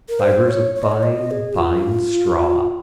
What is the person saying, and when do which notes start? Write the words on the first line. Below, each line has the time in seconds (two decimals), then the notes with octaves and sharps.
Fibres of fine fine straw.
0.09 A#4
0.19 C5
0.48 C#5
0.75 C#5
0.83 D#5
0.92 C#5
1.03 D#5
1.31 G#4
1.59 F4